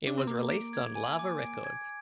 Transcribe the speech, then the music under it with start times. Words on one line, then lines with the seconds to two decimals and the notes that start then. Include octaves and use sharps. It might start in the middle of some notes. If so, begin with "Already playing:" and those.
It was released on Lava Records.
0.07 D4
0.18 C4
0.27 A#3 D6
0.50 D7
0.73 G#6
0.95 G#5
1.19 D6
1.41 D7
1.64 G#6